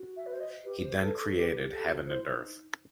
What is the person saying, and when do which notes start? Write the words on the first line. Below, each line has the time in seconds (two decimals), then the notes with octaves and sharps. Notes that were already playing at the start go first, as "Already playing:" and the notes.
He then created Heaven and Earth.
Already playing: F#4
0.17 E5
0.26 B4
0.33 C5
0.40 D#5
0.64 G4 B4
0.75 B4
0.82 C5
1.00 A4 B4
1.18 A4
1.35 G4 B4
1.59 G4
1.72 A4
1.83 F#4
2.07 E4 C5
2.30 D#4